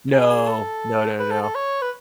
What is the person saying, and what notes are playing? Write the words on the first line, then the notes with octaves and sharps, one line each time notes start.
No. No, no, no.
G#4
G#4
A4
B4
A4
A4
C#5
B4